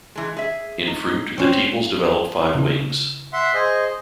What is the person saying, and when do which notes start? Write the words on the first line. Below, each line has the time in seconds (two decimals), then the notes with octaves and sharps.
In fruit, the tepals develop five wings.
0.16 E3 G#3
0.37 G#4 E5
0.87 D#4
1.38 C4 C#4
2.55 C#3 E4
3.33 E5 F#5 C6
3.54 G#4 C5 D#5